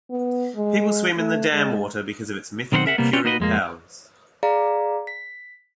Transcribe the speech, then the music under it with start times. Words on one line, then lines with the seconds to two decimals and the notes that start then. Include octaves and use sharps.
People swim in the dam water because of its mythical curing powers.
0.11 B3
0.56 G#3
1.17 A3
1.53 G#3
2.72 B1 D#3 C4 A#4 C5 F#5
2.86 A#4 E5 F#5
2.98 C3 G3 A#3 B3
3.13 C#4 F4 B4 C#5 D5 G5
3.24 A#3 D#4 F#4 B4 D#5
3.40 F2 G#3 A#3
4.43 G#4 D5 F5 A#5
5.07 B6